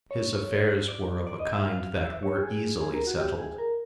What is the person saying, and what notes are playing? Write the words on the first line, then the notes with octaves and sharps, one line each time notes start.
His affairs were of a kind that were easily settled.
C#5
D5
D5
D#5
E5
F5
F5
E5
C#5
G4
G#4
G#4
A#4
F#4
G4
G#4
A#4